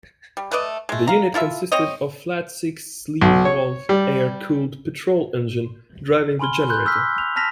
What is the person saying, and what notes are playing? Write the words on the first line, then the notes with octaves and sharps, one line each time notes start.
The unit consisted of a flat-six sleeve-valve air-cooled petrol engine driving the generator.
G3
A3 B4 D5 D#5
G#3 A3
F5 A#5
E4 F4 A4 E5
C4 C#5 D#5
B1
C#5
G3
G#5 B5 C6 F6 G7
B5 C6 F#6 G6
D6 E6 F6 G6 B6
F7
A5 F6 A#6 B6 F7